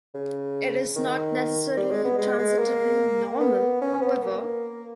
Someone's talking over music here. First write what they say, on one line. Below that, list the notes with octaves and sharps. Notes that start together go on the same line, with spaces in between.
It is not necessarily transitively normal, however.
C#3
D#3
G3
G#3
B3
G#3
G#3
A#3
B3
C#4
B3
A#3